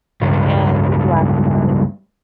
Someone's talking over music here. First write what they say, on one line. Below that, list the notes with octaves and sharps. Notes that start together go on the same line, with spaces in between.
and just laugh about it.
C#2 G2